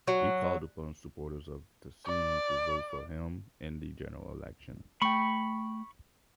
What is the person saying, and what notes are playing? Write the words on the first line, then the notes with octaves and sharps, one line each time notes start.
He called upon supporters of Tasini to vote for him in the general election.
F#3
D5
A3 G5 B5 C#6